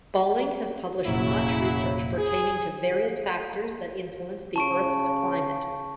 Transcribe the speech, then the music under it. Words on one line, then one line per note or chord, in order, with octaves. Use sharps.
Balling has published much research pertaining to various factors that influence the Earth's climate.
F1 A#2 C#3 F#3 E4
G#4
C#3 A5 C#6 D7